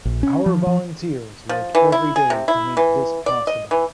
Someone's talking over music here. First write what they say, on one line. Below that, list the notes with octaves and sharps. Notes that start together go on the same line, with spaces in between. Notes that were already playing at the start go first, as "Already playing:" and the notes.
Our volunteers work every day to make this possible.
A#1
C#4
F3
F3
F3
E3
E4
G#4
C3
E4
E3
D5
D#5
E3